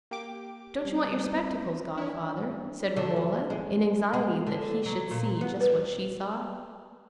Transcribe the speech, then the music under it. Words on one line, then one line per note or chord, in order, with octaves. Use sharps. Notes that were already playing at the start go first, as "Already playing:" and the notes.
"Don't you want your spectacles, godfather?" said Romola, in anxiety that he should see just what she saw.
A#3 G4 D6
G3 C4
C#4 D4 E4
D3
E2
G#3
G#3
D3
F#3
A#2
B3
B4